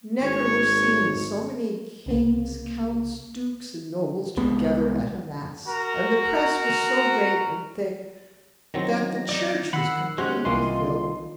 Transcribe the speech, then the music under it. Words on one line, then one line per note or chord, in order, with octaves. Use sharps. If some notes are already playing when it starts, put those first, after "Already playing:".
Never were seen so many kings, counts, dukes, and nobles together at a Mass, and the press was so great and thick that the church was completely filled.
G#1 C#5
C2 C#3 A#3
C2 G#3 B3
F#4 A#4 A#5
D#3 E3 F#3 C4 A#6
D#4 D5
D#3 F#5 B5 E6 C7 C#7
G#3 C#4 F#4 G4 C5 F#6
C2 E3 A#3 F4 D#5 C6